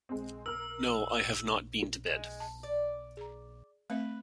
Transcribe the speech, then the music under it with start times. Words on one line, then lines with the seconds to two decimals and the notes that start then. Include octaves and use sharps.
No, I have not been to bed.
0.09 G#3 C4
0.46 A#4 E6 F6
2.06 G#3
2.40 A5
2.63 D5
3.17 G#4 A#5
3.90 A3 C4 B4 E5